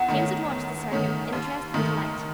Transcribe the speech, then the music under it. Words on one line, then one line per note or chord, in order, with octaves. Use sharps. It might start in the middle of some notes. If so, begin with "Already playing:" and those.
James had watched the circuit with interest and delight.
Already playing: E2 F#5
D#3 A3 C#4
E2
D#3 A3 C#4
D#2
D#3 A3